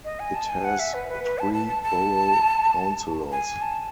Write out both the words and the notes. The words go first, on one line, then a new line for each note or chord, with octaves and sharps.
It has three borough councillors.
D#5
G#5
A5
G#5
F#5
E5
B4
B4
B4
A5
A5
A5
A5
G#5
A5